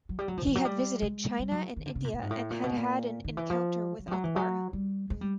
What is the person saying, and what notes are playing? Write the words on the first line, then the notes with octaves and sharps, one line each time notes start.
He had visited China and India, and had an encounter with Akbar.
F#3
G3
F#3
F3
E3
F#3
G3
G#3
G3
F#3
D#3
D3
C#3
A#2
A2
G#2
A2
A#2
B2
A#2
D#3
E3
F3
F#3
F3
F#3
E3
F#3
G3
G#3
G3